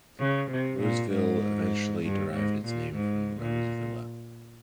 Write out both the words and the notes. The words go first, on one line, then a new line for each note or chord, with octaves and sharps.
Roseville eventually derived its name from "Rose Villa".
C#3
C3
A#2
G#2
G2
G#2
A#2
G#2
A#2